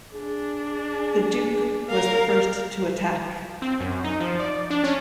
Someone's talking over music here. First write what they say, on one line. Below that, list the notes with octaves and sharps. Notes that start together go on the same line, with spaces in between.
The duke was the first to attack.
D4 G#4
A#4 F5
C4
F#2
D#4
F3
D5
D4
C#4